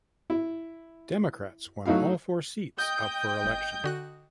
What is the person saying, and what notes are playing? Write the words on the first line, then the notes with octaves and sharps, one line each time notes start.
Democrats won all four seats up for election.
E4
F#3 A3 D#4 E4 F5
D#5 G5 D#6 G6
G1
D3 F#4 F#6